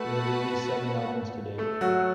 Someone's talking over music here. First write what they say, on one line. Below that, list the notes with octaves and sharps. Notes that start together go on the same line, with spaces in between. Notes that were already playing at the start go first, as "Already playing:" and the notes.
They have released seven albums to date.
Already playing: A3 F#4 A4 B4 F#5 A5
A3 A4
F#3 F#4